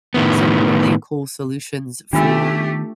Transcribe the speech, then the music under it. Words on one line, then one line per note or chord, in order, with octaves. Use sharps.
some really cool solutions for
A2 D#3 B3
D#3 A3 B3 D4 F4 G4 E6